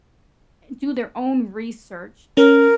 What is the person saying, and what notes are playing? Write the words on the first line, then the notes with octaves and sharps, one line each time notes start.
eh, do their own research
C#4 A#4